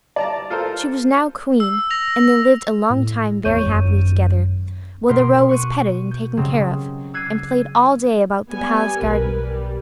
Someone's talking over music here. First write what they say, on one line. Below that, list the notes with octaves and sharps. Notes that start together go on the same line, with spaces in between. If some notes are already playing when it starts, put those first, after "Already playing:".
She was now queen, and they lived a long time very happily together; while the roe was petted and taken care of, and played all day about the palace-garden.
D5 A5 A#5
F4 A4 A#4 C5
E6
A#6 F7
A2
G#1 E2 C#5 C#6 G6 D#7
G#1 F#2
B2 A#4 C6 G6 B6 D7
C#6 F#6 D#7
G6
C#3 F#3 G#3 C4
D6 E6 F#6 G#6 C7 D#7
G3 B3 G#5
B1 A#4 B4
G3